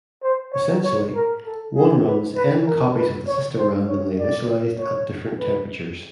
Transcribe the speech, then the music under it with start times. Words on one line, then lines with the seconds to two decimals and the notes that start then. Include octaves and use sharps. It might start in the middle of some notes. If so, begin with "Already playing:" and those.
Essentially, one runs "N" copies of the system, randomly initialized, at different temperatures.
0.23 C5
0.53 C#5
0.84 C#5
1.14 A#4
1.45 A4
1.75 G#4
2.05 B4
2.36 B4
2.66 A#4
2.97 B4
3.27 C#5
3.57 C5
3.88 C#5
4.18 D5
4.79 C#5
5.40 B4